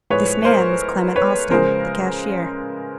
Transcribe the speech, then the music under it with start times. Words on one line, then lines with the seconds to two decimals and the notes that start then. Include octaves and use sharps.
This man was Clement Austin, the cashier.
0.10 A2 F3 G#3 B4 C#5
0.45 A#4 C5
1.16 B4 C#5
1.50 C#3 F3 G#3 A#4 C5